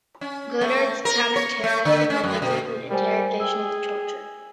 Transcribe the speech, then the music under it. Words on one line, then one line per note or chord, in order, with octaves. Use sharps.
Godard's counter-terrorism methods included interrogation with torture.
C#4
A3
A#4
C#5
A3
D3
C#4
F#2
B2
G3 A#4 C5 G#5
G#4 G5 E6